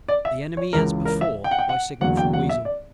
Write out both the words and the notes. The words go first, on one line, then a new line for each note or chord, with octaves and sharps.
The Enemy as before, by signal from Weazle.
D5
E5
C#5
C#2 C#3 E3 A#4
A#4
E5
G5
F#5
G5
F#5
E2 D3 F#3 A#3 F#5
G5
F#5
E5
D5